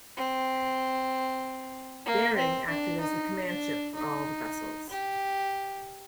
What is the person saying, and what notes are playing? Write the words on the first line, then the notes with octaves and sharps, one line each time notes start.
"Daring" acted as the command ship for all the vessels.
C4
A#3
C4
D4
D#4
D4
D#4
G4